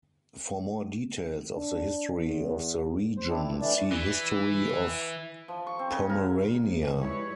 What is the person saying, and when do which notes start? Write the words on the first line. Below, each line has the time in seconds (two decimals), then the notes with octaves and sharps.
For more details of the history of the region, see History of Pomerania.
1.54 D4
2.19 E2
3.17 C5
3.29 C4 D4 E4
3.48 G2
3.61 E3 A3 D4 D5 D6
3.91 E3
5.48 F3
5.67 C#6
5.79 C4
5.91 C#3
6.10 A#4
6.62 F3
7.01 G3 G#3 E4 B4 C#5